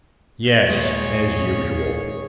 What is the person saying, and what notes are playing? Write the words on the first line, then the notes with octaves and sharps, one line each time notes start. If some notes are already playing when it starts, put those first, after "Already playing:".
"Yes--as usual!"
D#2 A#2 G#3 G#4 C#5